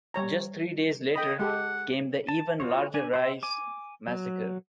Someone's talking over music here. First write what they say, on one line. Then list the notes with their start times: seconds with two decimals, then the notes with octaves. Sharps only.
Just three days later came the even larger Rais massacre.
0.14 G3 C#5 A#5
1.16 D#5 G5 B5
1.39 G#3 G4 A4 F#5
2.29 A5
2.60 F4 F#4 C5 C#5
2.94 D4 G#5
3.14 C5 E5 G5
3.43 G#5 D6
4.08 F#3